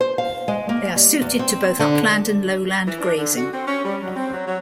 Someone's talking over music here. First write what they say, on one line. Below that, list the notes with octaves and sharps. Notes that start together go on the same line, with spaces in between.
They are suited to both upland and lowland grazing.
C5
F5
G#3
A#3
G3
E2
C4
D3
E3
D4
D3
F#4
C4
C#4
G3
F#3
C4
F#3
F#3